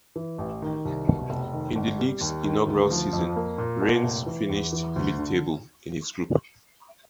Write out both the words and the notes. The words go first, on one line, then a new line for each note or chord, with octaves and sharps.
In the league's inaugural season, Rennes finished mid-table in its group.
E3
A1
D#3
C2
B2
F1
D#3
G1
G3
D#2
D#3
D2
F3
F2
A#3
A#2
B2
F1
E3
E2
E3
D2
D3